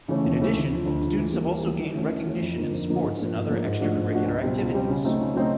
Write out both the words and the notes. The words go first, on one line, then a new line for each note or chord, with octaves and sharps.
In addition, students have also gained recognition in sports and other extracurricular activities.
C#3 E3 A3 C#4
D#2
C#3 E3 A3 C#4
D2
D3 F3
D2
D3 F3
E3
G3 A#3
E3
G3 A#3
E3
A3 C#4 F#4
E3
A3 C#4 F#4
F2
D3 F3 A#3 D#4
F2
D3 F3 A#3 D#4
G#2
F3 A#3 D4
G#2
F3 A#3 D4
G#2
F3 A3 D4 F#4
G#2
F3 A3 D4 F#4
C#2
B2 G3 C4
C#2
B2 G3 C4
C#3
F#3 A3 C4 D#4
C#3
F#3 A3 C4 D#4